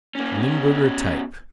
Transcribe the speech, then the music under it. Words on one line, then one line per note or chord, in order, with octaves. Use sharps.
Limburger type.
A#3 C#4
B2 C#4